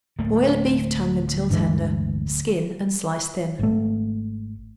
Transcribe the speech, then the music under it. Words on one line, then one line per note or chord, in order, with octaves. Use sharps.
Boil a beef tongue until tender; skin and slice thin.
D1 A3 A#3
G2 E3 G#3
G#1 A3